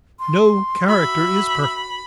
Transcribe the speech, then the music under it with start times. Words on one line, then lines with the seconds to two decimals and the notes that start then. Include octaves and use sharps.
No character is perfect.
0.19 C6
0.88 F#4 E5 B5